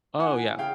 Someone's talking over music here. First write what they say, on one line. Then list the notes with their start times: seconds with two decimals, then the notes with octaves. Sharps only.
Oh, yeah.
0.19 E3 F#5 G#5
0.59 C#3 F5 G5